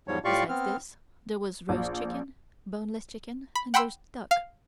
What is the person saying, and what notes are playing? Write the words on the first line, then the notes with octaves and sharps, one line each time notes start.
Besides this there was roast chicken, boneless chicken and roast duck.
E2 G#2 F3 G3 C#5
A2 F4 G4 D5 F5 C#6
B3 C4 F6
A#1
B5
F#5 G5 B5 C6 E6
F5